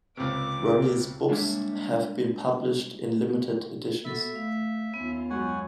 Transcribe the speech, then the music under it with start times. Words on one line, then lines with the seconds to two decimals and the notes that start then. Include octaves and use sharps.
Various books have been published in limited editions.
0.17 C#2 C3 D6
1.29 G3 G#3 A#3 D4 C#5 E5
4.05 B3 F#4 A4 E5 B5
4.36 A3 F5
4.93 D#2 B3 C#4 F4
5.30 F#2 G#3 C#5 F#5 G#5